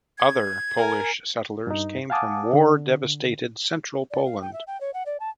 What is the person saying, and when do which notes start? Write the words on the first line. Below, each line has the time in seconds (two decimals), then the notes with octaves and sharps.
Other Polish settlers came from war-devastated central Poland.
0.18 G#6
0.78 A#4 G#5
1.67 G2 D#4
2.10 F5 F#5 G#5 A5 D6 D#6
2.53 D3
4.11 D5
4.25 F5
4.41 G5
4.53 E5
4.67 G5
4.81 C#5
4.93 F#5
5.06 D5
5.20 A5